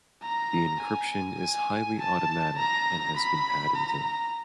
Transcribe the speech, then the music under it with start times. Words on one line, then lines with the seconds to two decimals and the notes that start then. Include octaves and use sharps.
The encryption is highly automatic and has been patented.
0.22 A#5
0.81 G#5
1.39 G#5
1.99 A5
2.57 A#5
3.16 B5
3.75 A#5